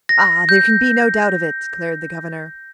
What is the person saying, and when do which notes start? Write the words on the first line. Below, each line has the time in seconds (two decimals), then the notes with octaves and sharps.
"Ah! there can be no doubt of it," declared the governor.
0.09 A#6
0.49 G6